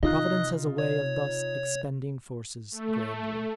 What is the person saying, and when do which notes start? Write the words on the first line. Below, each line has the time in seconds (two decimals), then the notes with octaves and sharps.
Providence has a way of thus expending forces grandly.
0.03 C3 D#4 F4 D#5 D#6 F#6
0.78 C#5
2.71 A3